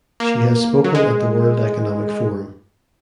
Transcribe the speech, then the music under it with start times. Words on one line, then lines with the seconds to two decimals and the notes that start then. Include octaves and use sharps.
She has spoken at the World Economic Forum.
0.20 A#3
0.84 F#3
0.95 G#3